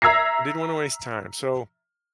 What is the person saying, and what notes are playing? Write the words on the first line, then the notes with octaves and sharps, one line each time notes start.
Didn't want to waste time. So
E5 A#5 E6 G#6 A#6 C7